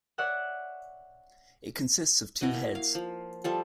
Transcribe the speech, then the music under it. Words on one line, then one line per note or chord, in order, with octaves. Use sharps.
It consists of two heads.
C#5 D5 E5 F#5 F#6
B2 E4 F#4 D#5
A#3
F5
F3
F3 G3 A4